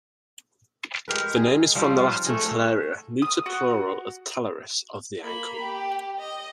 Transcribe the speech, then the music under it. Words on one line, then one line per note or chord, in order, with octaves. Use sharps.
The name is from the Latin "talaria", neuter plural of "talaris", "of the ankle".
G#3 G4 A#4 B4
G#4
F3 G3 C4 D#4
F4
A3 G#4 D#5
D#6
F#4
A#3 B5
G4
D#5